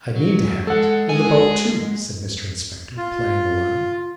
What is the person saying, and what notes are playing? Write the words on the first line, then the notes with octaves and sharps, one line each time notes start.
'I mean to have it, and the boat too,' said Mr Inspector, playing the line.
F#3
G#3 A4 F#5
G#3 G#4
F4